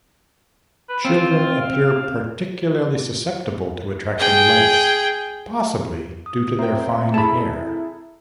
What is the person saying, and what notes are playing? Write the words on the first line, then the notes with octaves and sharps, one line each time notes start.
Children appear particularly susceptible to attracting lice, possibly due to their fine hair.
B4
C4 F4
F5
G#4 G5
D#6
C4 C5 E5 G5 A#5
E4 G#4 A4 A5 B5